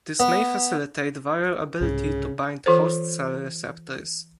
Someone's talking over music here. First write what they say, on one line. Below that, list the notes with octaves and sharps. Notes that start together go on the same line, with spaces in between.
This may facilitate viral ability to bind host cell receptors.
B3
C2 G#2 C#3
E3 F4 A4 C5